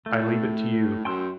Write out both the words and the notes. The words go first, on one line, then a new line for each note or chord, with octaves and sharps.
I leave it to you.
A2 A3
F#2 G5 C6 E6